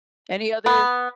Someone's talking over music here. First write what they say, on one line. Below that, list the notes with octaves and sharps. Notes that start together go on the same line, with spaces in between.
Any other
B3